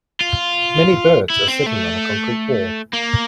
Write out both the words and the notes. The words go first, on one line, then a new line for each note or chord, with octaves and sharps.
Many birds are sitting on a concrete wall.
F4
E4
C4
A3
A#3